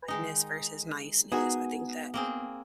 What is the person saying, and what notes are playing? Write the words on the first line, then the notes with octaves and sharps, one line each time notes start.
kindness versus niceness. I think that
D#3 G#3 D#4
B3 D#4 F#4 G#4 A#4
A#3 C4 G#4